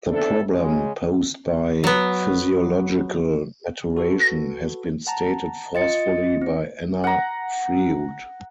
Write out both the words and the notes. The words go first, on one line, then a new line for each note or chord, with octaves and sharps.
The problem posed by physiological maturation has been stated forcefully by Anna Freud.
B3 C4 D4 E4 A4
C#3 G#3
F#3 B3
F#4 A4 B4
F#5 A5 A#5
F4 D#5 A6 C#7
C4
F#5 A#5